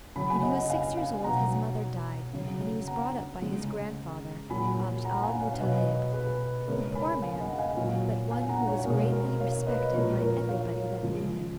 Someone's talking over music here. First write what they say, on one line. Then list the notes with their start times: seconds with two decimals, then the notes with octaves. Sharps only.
When he was six years old his mother died and he was brought up by his grandfather, Abd al-Muttalib, a poor man, but one who was greatly respected by everybody that knew him.
0.16 C#3 F#3 B5
0.30 G#5 B5
0.43 D#5 F#5
0.70 F5 G#5
0.97 F5 G#5
1.24 B2 F#3 F#5 A#5
2.33 C#3 F#3
2.87 F#5 A#5
3.42 C#3 G#3
4.50 A#2 F#3 G#5 B5
5.05 F#5 A#5
5.23 F5 G#5
5.41 C#5 F5
5.54 F5
5.59 B2 F#3 B4 D#5
6.13 G#4 B4
6.68 C#3 G#3 A#4 C#5
6.95 G#5 B5
7.22 F5 G#5
7.40 D#5 F#5
7.58 F5 G#5
7.77 A#2 F#3 C#5 F5
8.31 F5 G#5
8.49 F#5 A#5
8.67 C#5 F5
8.85 B2 G#3 A#4 C#5
8.99 G#4
9.12 A#4
9.40 C#5 F5
9.66 B4 D#5
9.94 A#2 F3 G#3 A#4 C#5
10.21 A#4 C#5
10.49 C#5 F5
11.03 C#3 F3 G#3